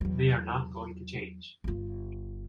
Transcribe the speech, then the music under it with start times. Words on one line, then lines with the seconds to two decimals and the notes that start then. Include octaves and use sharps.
They are not going to change.
0.01 E2 F#3
1.64 G1 F4